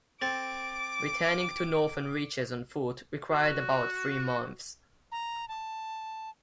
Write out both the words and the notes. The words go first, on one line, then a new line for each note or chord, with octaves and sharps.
Returning to northern reaches on foot required about three months.
C4 A4 D6
F#4
A#5
A5